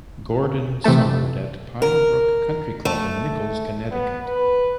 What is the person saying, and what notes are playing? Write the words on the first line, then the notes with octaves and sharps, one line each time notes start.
Gordon summered at Pine Brook Country Club in Nichols, Connecticut.
C3 E3 A3 A5
A#4
A3
B3
B4